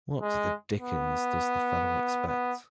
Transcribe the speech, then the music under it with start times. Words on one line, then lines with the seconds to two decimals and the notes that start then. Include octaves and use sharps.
What the dickens does the fellow expect?
0.22 G#3
0.80 B3
2.28 B3